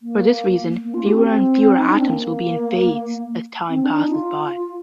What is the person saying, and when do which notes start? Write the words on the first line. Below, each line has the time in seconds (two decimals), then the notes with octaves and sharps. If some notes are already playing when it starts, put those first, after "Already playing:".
For this reason fewer and fewer atoms will be in-phase as time passes by.
0.02 A#3
0.84 A#3
0.94 F4
1.04 G4
1.14 C4
1.25 C4
1.78 D#4
1.88 D4
1.96 C4
2.06 A#3
3.70 C4
3.83 D4
3.97 D#4
4.10 F4